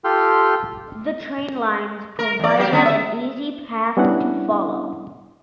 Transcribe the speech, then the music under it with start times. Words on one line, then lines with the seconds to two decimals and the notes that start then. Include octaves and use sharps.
The train lines provided an easy path to follow.
0.04 F4 G4 A4 G5 C6 F6
2.19 A#4
2.39 E2 D5
2.57 F#3 G4
2.72 D3 B3 C#4
2.86 E5
3.97 G3 B3 C#4 D4 E4 F#5